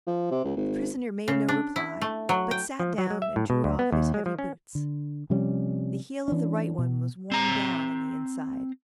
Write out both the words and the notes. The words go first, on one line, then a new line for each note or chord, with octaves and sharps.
The prisoner made no reply, but sat down and drew off his heavy boots. The heel of the right one was worn down on the inside.
F3
C3
C#2
G#1
C#3
D4
E4
A3
F#3
G5
F3
F#3
G#3
E5
A2
B2
D2
B3
D#2
G#3
F3
C#4
D3
C3 F3 G3 C#4
E3 C#4 D4
B2
C4 A#5